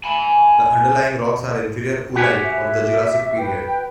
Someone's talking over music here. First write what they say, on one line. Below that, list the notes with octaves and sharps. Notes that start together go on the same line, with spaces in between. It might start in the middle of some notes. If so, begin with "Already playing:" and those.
The underlying rocks are Inferior Oolite of the Jurassic period.
G#5 B5
F#4 G4 G#5
E5
B4 G5